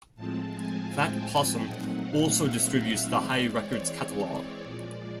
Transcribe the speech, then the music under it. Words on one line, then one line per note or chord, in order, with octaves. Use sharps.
Fat Possum also distributes the Hi Records catalog.
A2 F3 G#3 C4 A5
G#5
G5
G5
A#2 F#3 A3 C4 D#4 F#5
F5
E5
F5
E3 G#3 C4 D5
C#5
D5
C#5
A#2 F3 G#3 D5